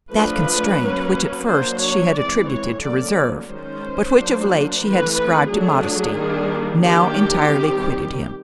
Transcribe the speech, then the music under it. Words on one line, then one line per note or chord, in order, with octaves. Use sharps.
That constraint which at first she had attributed to reserve, but which of late she had ascribed to modesty, now entirely quitted him.
F3 A3 D4 B4
F#3 A#3 C#4
F#3 A#3 D4 C5
C#5
E3 G#3 C4 D5
C#5
D3 F#3 A#3 C#4 D5
D#3 G#3 C#4 C5
F#3 A#3 D4
E3 A3 C4 B4
B4
F#3 A3 D4 G#4
D#3 G3 A#3 D4
D#3 F#3 A#3 D4 G4
D#3 G3 C4